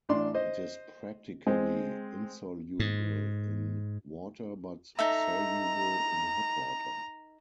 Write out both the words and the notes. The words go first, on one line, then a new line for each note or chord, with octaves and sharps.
It is practically insoluble in water but soluble in hot water.
A1 D4 C6
C5 D#5
G#3 C4
G#2
D#4 A4 E5 A#5